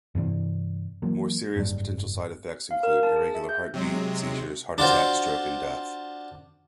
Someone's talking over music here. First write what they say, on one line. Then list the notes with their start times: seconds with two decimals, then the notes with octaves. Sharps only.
More serious potential side effects include irregular heartbeat, seizures, heart attack, stroke, and death.
0.15 G2 C3 E3 D4
1.02 E3 F#3 A#3
1.56 F#1 G#2 C3 G3
2.71 F5
2.83 A#4
3.03 A5
3.16 G#4
3.35 E5
3.49 G6
3.74 C3 F#3 G#3
4.78 D4 F4 F#4 C5